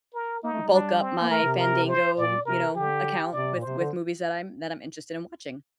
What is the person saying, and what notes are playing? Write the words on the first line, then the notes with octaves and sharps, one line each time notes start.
bulk up my Fandango, you know, account with with movies that I'm that I'm interested in watching.
A#4
A#3 D#4
A3
G3
D4
C4
A#3
A3 A#4
C3
A#4
C5
A#2 D5
C3 A#4
D3 G4
C3 D5
A#2
C5
C3
D3